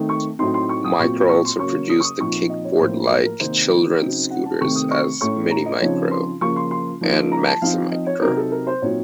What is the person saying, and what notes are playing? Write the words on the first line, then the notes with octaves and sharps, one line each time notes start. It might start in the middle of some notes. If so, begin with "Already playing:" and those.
Micro also produced the Kickboard-like children's scooters as "Mini Micro" and "Maxi Micro".
Already playing: D#3 A3 C4 D#4
C#6
A2 F#3 A3 C4 D#4 C6
C6
C#6
D#6
A#2 F#3 C4 C#6
C#6
C6
C#3 F#3 A#3 C#4 C#6
D#6
C#6
D#6
A#2 F3 C4 D#4 C#6
D#5
C#5
A2 F3 A#3 C5
A#4
A#4
C3 D#3 A#3 D#4 C5
C#3 F#3 C4 D#4
F#5
A5
C3 D#3 A3 C4 C#6
D#6
C#6
A2 A3 C#4 C#6
A#5
D#5
C#3 F3 C4 D#4 C#5
C6
C#3 F3 A#3 C#6
C6
C6
F3 A#3 D#4
A#5
A5
F3 C4 D#4 F5
D#5
C#5
C3 F#3 C4 D#4 A#4
A4
A#4
C5
A#2 F#3 C4 D#4 C#5